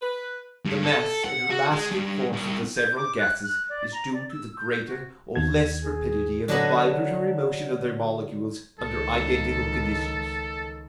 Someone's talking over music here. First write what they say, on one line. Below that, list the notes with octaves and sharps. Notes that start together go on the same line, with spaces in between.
The mass and elastic force of the several gases is due to the greater or less rapidity of the vibratory motion of their molecules under identical conditions.
B4
G2
A4
F#5
F#4
G#3
G2
C2
G6
D6
F#6
F#6
D5
A#5
D5
E6
G6
F#4
D#2 G#6
G#4
D3 F#3 D4 B4 D#5 B5
C#2 D#3 A4